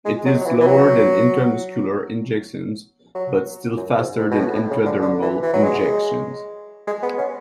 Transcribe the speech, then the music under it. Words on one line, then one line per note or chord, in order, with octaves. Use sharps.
It is slower than intramuscular injections but still faster than intradermal injections.
G#3
F#3
F#3
E3
E3
F#3
F#3
F#2
G#2
G#2
B2
A2
A2
C#3
D3
D3
E3
E3
F#3
G#3
G#3
B3
C#4